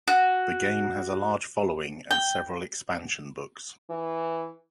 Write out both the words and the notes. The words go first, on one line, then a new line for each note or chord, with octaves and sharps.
The game has a large following and several expansion books.
F#4
G5
E3